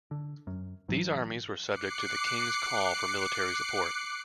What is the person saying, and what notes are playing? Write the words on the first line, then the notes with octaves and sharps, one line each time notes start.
These armies were subject to the king's call for military support.
D3
F#2
A1 G#2 E3 F#3
D6 F#6 C7 C#7